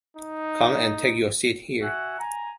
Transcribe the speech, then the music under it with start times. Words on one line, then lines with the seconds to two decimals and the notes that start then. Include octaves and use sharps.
Come and take your seat here.
0.17 D#4
1.81 F#4 E5 F#5 G#5
2.19 G#5 A#5